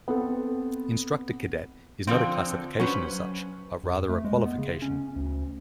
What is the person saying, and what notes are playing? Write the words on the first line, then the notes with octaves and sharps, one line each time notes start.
Instructor Cadet is not a classification as such, but rather a qualification.
B3 C4 A4
D3 F3 C4
F#3 C#4 B4 C5
F2
A3
G#3
B3
C#3
C#4
D2